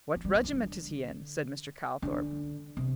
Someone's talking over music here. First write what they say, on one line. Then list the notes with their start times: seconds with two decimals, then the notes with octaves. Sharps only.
"What regiment is he in?" said Mr. Calthorp.
0.16 F3
0.25 G3
0.34 F3
0.44 E3
0.52 D3
2.02 D3
2.77 C3